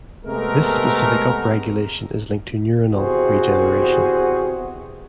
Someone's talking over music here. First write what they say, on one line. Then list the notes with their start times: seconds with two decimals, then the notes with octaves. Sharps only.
This specific upregulation is linked to neuronal regeneration.
0.25 C3 G#3 A3 B3 A4 A#4
2.92 E2 C3 F#4 G#4 C5